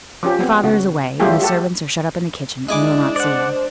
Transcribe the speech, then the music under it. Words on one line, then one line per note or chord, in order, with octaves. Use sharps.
Your father is away, and the servants are shut up in the kitchen and will not see you.
F3 C#4 G4
B3 C4
C#3 F#4
F#3 G3 A3 F4 G4 G#4
F#4 G4 A4
G#3 D4 E4 G#5 D6
C5 D5 F#5